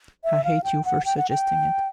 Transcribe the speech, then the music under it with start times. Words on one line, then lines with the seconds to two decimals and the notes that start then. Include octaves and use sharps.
I hate you for suggesting it.
0.24 E5
0.44 F5
0.64 G5
0.85 F#5
1.05 G5
1.17 F#5
1.30 G5